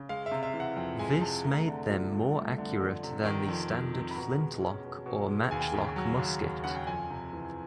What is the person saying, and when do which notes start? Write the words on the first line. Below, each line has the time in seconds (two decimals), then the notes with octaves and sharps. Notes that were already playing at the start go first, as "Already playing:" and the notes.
This made them more accurate than the standard flintlock or matchlock musket.
Already playing: C#3
0.09 G#3 F5
0.26 E5
0.32 C3
0.43 E5
0.54 E3
0.60 F#5
0.76 F2 G5
0.99 G#3 G#5
1.21 C3 A5
1.44 A3 A#5
1.68 D3
1.89 F3
2.12 G2
2.35 A3
2.58 D3
2.81 F2
3.03 C3
3.25 D#3
3.48 F2
3.70 F2
3.94 C3
4.11 B5
4.16 B2 A#5
4.38 G#3
4.62 C#4
4.84 B2
5.06 B2
5.28 G#3
5.51 D#2 G#5
5.61 G5
5.69 C#3 G#5
5.96 F#3
6.19 D#2
6.42 D#2
6.64 C#3 F#5
6.76 G5
6.87 F2 G#5
7.10 C3
7.33 E3